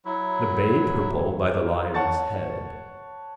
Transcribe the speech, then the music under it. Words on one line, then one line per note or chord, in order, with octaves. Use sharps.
The bay purple by the Lion's head.
F#3 E4
C#5 F#5 A5 C#6 A6